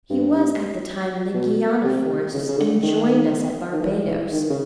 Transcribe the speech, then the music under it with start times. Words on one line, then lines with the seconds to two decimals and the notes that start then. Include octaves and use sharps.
He was at the time in the Guiana forests, and joined us at Barbados.
0.10 G2
1.34 B2
1.84 C3
2.34 C#3
2.49 C#3
2.58 D3
2.83 D#3
3.73 D#3
3.81 E3
4.07 E3
4.32 D#3
4.50 C#3